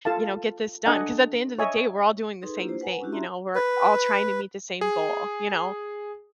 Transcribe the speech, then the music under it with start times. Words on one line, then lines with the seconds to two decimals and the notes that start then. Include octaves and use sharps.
you know, get this done 'cause at the end of the day we're all doing the same thing, you know, we're all trying to meet the same goal, you know?"
0.05 F4 A4 F5 A5
0.86 D4 A4 D5 D#5 F#5 G#5
1.59 C#5 D#5 E5 G#5
2.42 D#4 G#4 A4 B4 C6
2.56 A#3 D4 E4 F4 G4
2.69 C5
2.81 B4 F#5 G#5 A#5
3.01 C#4 D4 E4 F#4 G4
3.12 F4 E5 A5 A#5 C6
3.55 B4
4.81 G#4